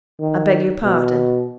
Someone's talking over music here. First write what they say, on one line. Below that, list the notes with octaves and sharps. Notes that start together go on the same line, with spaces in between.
I beg your pardon.'
D#3
B2